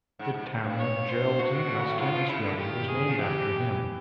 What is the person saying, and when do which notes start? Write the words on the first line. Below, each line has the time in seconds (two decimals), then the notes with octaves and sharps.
The town of Geraldton, Western Australia was named after him.
0.19 G#2
0.34 G#2
0.64 G2
0.79 C#5
1.09 C5
1.39 F#4
1.51 C3
1.63 B2
1.75 A#2
1.87 A2
1.98 G#2 F4
2.14 B2
2.28 C#3 E4
2.43 D3
2.58 D#3 G4
2.88 G#4
3.08 F3
3.18 E3 G4